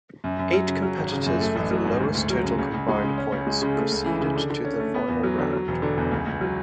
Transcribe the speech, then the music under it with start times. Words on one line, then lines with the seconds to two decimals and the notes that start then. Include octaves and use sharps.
Eight competitors with the lowest total combined points proceeded to the final round.
0.24 F#2
0.39 F#2
0.53 F#3
0.68 C#3
0.82 F#3
0.97 G#1
1.12 C#3
1.26 F#2
1.41 A3
1.56 A1
1.71 F#3
1.86 G#2
2.00 D2
2.15 D2
2.30 F#3
2.44 C#3
2.59 C#2
2.74 C#2
2.89 G#3
3.03 C#3
3.18 C#4
3.32 C#2
3.47 G#3
3.62 C#3
3.77 A3
3.91 C#2
4.06 E3
4.21 C#3
4.35 D3
4.50 D3
4.65 C#4
4.80 A3
4.94 B3
5.09 E2
5.23 F#3
5.38 D3
5.53 F#3
5.68 E1
5.82 D3
5.97 E2
6.11 C#2
6.26 C#2
6.41 F#3